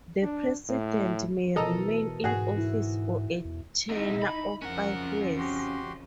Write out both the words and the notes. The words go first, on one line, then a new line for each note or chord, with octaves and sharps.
The president may remain in office for a tenure of five years.
D4
A2
B2 E3 A4 A#4 D#5 A#5
G#2 F#4 G#4
E4
E2
G#2 C3 D#4 E4
B5
F2 C#3 F3 C#4 A#4 F#5 F#6
F#4 G4 C6